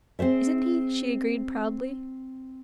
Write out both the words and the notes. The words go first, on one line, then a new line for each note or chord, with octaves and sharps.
"Isn't he?" she agreed proudly.
C4 G#4 C5 E5